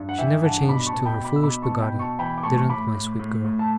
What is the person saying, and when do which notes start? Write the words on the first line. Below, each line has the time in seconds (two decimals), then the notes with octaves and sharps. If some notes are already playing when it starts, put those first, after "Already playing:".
She never changed to her foolish Peggotty, didn't my sweet girl.'
Already playing: G2
0.09 F#5
0.18 E3 E5 G5
0.43 G2 F#5 A5
0.68 B2 B5 D6
0.87 A5 C#6
0.94 B2
1.05 G5 B5
1.18 B2
1.24 B5 D6
1.36 E6
1.43 B2 B5 D6
1.62 A5 C#6
1.68 B2
1.81 G5 B5
1.94 B2
1.99 A5 C#6
2.19 E3 G5 B5
2.38 D6
2.43 A2 A5 C#6
2.57 C#6
2.69 A2 B5 D6
2.94 A2
3.19 A2
3.44 A2
3.59 A5